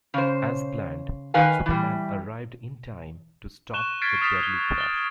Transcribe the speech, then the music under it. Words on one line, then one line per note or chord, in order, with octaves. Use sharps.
As planned, Superman arrived in time to stop the deadly crash.
C#3 C5
D#3 B4 F5 G#5
E3 G3
C#6 F#6 E7 G7
F6 G#6 A6 B6 C7 D7
D#6 F6 A6 B6 C7 E7
G7
A6 G7